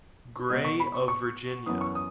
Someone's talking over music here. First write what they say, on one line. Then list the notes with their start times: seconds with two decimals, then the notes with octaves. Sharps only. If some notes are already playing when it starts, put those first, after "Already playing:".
Gray of Virginia.
0.50 B2 G#3 B3 D#5
0.65 C#6
0.80 B5
0.94 C#6
1.08 C#6
1.66 F#2 E3 B3 D#6
1.81 C#6
1.95 D#6